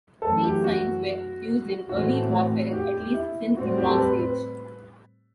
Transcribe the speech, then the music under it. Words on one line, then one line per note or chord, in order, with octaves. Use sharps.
Field signs were used in early warfare at least since the Bronze Age.
F#2 E3 A3 A4
G4
F#4
A2 E3 A3 C4 F#4
F#4
G4
G4
E4
A2 G3 C4 F#4
G4
A4
B4
B4